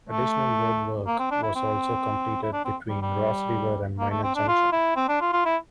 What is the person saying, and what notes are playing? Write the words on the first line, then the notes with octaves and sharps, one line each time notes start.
Additional road work was also completed between Ross River and Miner Junction.
A3
A#3
C4
D4
E4
C4
E4
D4
C4
G3
G3
A#3
A3
C4
D4
F4
E4
C4
D4
F4
F4
E4